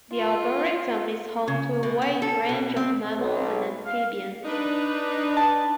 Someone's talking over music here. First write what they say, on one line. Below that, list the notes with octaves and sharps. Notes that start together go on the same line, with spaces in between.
The Arboretum is home to a wide range of mammals and amphibians.
F4
C#3
B2
B3
A4
B2
C4
B1
F5
D4 D#4 B4
A5